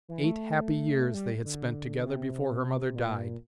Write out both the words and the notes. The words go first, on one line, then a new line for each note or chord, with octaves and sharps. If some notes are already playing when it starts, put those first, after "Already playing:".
Eight happy years they had spent together before her mother died.
E3
A3
G3
D3
C3
A#2